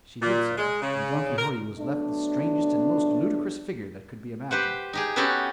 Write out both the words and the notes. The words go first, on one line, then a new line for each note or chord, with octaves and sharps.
She did so, and Don Quixote was left the strangest and most ludicrous figure that could be imagined.
A#2
G#3
C#3
A#4
F#3 A3 B3 D4
G4 B4 C5 F#5
D#4 G4 G#4
B3 C#4 F#4 G4 A4 B4